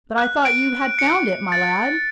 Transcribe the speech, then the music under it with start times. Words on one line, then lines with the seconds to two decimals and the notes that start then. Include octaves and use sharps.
"But I thought you had found it, my lad!"
0.18 F#6
0.45 D7
0.99 C#7
1.52 A6